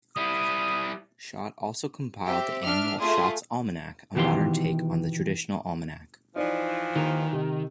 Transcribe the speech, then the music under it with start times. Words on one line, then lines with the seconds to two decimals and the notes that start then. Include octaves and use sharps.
Schott also compiled the annual "Schott's Almanac", a modern take on the traditional almanac.
0.17 G3 E4 D#6
2.26 C4 G4 E5
2.64 D4 F6
3.00 A3 F4 G#4 C6
4.15 B2 D#3 E3 G4 F5 C6
6.36 E3 F3 D#4 D5
6.95 D#2 D#3
7.33 C3